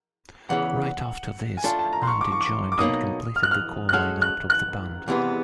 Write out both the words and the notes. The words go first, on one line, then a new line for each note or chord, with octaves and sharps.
Right after this Andy joined and completed the core lineup of the band.
E2 C#3 E3 F#5
G#5
A3 D4 F4 A5
A5
A#5
C6
C#6
D6
C#6
D6
D6
B2 F#3 A#3 D#4 D#6
F6
F#6
F6
F#6
G#3 C#4 F#4 A4 F6
F#6
F#6
E2 C3 E3 G#3 B3